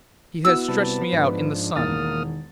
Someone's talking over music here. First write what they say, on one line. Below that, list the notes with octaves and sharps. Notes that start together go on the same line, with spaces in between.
He has stretched me out in the sun.
B3 E4 F#4 E6
C3 G3 B4 A5
G#2 F3 D4
E1 D#3 A#3 D#6 F6 A6